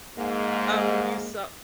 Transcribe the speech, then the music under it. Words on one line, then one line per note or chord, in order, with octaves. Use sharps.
um, you saw
G#2 G#3 A#3